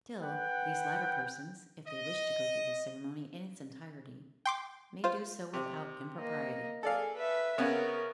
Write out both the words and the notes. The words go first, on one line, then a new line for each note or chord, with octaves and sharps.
Still, these latter persons, if they wish to go through the ceremony in its entirety, may do so without impropriety.
B4 F#5 G5
D#5
G5 C6 D6
F4 C5
C3
A#3 D#5
G#4 A4 D5 F5
B4 E5
C#3 B3 C#4 A#4